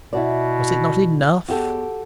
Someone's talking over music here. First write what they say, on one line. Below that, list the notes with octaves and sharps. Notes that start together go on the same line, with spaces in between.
Was it not enough?
B2 E4 F#4 D5
E2 F#4 G4 A4